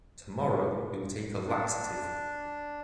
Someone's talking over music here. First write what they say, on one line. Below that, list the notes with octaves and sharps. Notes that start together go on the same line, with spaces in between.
Tomorrow, you’ll take a laxative.
D4